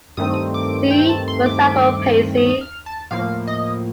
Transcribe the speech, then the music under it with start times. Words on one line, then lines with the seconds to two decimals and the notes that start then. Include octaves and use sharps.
See, for example, Pacey.
0.17 G2 D#3 A3 C4 D#6
0.54 D6
0.91 G5
1.09 A5
1.28 C6
1.46 D6
2.37 D#6
2.61 F6
2.86 A5
3.11 A2 F3 A#3 F5
3.47 D#5